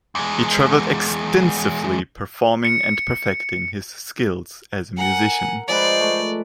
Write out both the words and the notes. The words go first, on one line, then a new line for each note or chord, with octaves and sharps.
He traveled extensively performing and perfecting his skills as a musician.
E2 G#3
C#7
A#4 F#5 G#5
F3 G#3 B4 C5 D5
A3